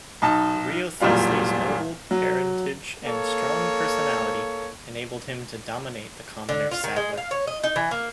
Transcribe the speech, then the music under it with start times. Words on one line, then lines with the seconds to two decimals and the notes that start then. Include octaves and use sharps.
Wriothesley's noble parentage and strong personality enabled him to dominate the commoner Sadler.
0.22 B1 D#4 A5
1.00 E1 F#2 A#2 G3 F5
2.11 F#3
3.04 A#3 A4 C#5
6.49 D3
6.71 F4
6.84 D#3
6.96 G#3
7.17 F5
7.31 C#5
7.47 D#5
7.63 D#4
7.76 E3
7.91 A#3